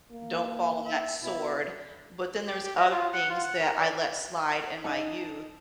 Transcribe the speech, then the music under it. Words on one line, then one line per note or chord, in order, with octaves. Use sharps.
don't fall on that sword, but then there's other things that I let slide in my youth
A#3
E5
B2 E4
G4
G4
D#5
F4
F#5
F4
F#5
A#4
D5
D#4 D5 D#5 A5